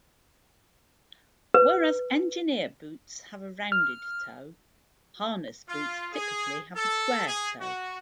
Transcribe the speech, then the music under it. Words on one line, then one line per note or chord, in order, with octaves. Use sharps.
Whereas engineer boots have a rounded toe, harness boots typically have a square toe.
B4
F6
F4
G#4
A4
G#4
F#4